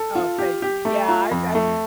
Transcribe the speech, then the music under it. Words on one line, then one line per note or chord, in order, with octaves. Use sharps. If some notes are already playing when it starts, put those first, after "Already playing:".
Oh, thank you. Yeah. I I
Already playing: A4
F4
G4
G4
A3
F4
F2
A3